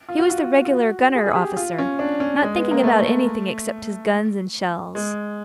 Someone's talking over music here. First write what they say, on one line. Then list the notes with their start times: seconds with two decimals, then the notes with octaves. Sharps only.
He was the regular gunner-officer, not thinking about anything except his guns and shells.
0.09 F4
0.19 F#4
0.30 F4
0.65 F4
0.72 F#4
1.15 G#4
1.26 G#4
1.36 G4
1.57 F4
1.78 C#4
1.99 D4
2.20 C#4
2.42 G#3
2.57 B3
2.71 A#3
2.83 A3
4.95 G#3